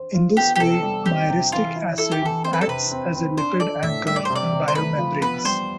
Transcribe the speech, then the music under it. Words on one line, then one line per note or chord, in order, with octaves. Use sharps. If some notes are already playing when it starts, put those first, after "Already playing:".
In this way, myristic acid acts as a lipid anchor in biomembranes.
Already playing: C5
F4
B3 G4
G4
C3 A4
G3
C4 G4
C3
E3 F4
E4
E4 A4
G4
E3 A4
C4 C5
B4
A4
C3 B4
C4
C4
D4 C5
A4 D5
A2 E5
G3 E5
D5
C5
C3
D5
C3
C5
A3 B4
F3
B3 B4
G3 C5